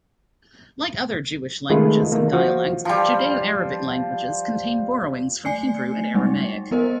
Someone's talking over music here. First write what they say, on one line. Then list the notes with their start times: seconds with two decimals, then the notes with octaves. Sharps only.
Like other Jewish languages and dialects, Judeo-Arabic languages contain borrowings from Hebrew and Aramaic.
1.69 D#3 G#3 A3 F4 G#4 B4
2.12 D#3 A3 A#3
2.33 F3 F4 F#4
2.85 F3 G3
5.45 A3 D5 G#5 C7 C#7
6.15 G3 G#3 D#4
6.71 G3 B3 A#4 C5 D#5